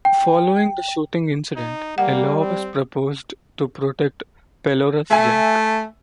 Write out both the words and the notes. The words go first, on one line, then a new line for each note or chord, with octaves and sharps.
Following the shooting incident, a law was proposed to protect Pelorus Jack.
G5
D#4
G3 A#3 F#5
C4
A3 E5 G#5